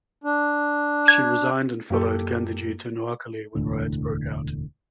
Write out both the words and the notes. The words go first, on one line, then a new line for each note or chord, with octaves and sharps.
She resigned and followed Gandhiji to Noakhali when riots broke out.
D4
G#6
F#2 A#3 G4 A4
E1 D2 A2 D3